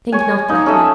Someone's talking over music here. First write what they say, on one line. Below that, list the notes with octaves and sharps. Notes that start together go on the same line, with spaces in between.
Think not black man.
C#5 G#5
A#3 D#4
C#4 A4 D#5 E5